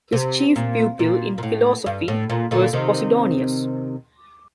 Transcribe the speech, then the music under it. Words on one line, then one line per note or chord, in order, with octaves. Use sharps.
His chief pupil in philosophy was Posidonius.
C3
A#2
A#2
A#2
A2
G2
A2
A#2
A#2 D3
C3 D#3